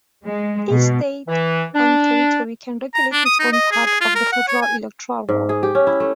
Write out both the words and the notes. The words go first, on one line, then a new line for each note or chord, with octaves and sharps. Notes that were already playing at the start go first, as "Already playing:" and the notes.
Each state and territory can regulate its own part of the federal electoral roll.
G#3
B2
E3
D4
A#5
D4
D#6
D#4
D#5
G#4
G#4
F4
A#4
F#5
C#5
G#5
G#2
G#4
G4
C#4
E4
A3